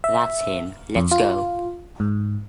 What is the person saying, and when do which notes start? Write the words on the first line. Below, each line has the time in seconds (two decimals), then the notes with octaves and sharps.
That’s him. Let’s go.
0.04 E5
0.96 F2
1.11 F4
2.00 G#2